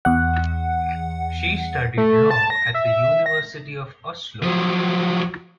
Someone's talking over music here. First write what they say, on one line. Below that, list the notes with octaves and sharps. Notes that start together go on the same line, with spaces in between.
She studied Law at the University of Oslo.
E2 F#5
A3
A5
A#6
E5
A#6
F3 F#3